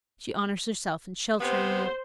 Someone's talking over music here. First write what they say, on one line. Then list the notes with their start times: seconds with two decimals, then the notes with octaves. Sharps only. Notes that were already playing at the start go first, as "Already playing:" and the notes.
She honors herself in sheltering you.
1.40 C3 B3 C5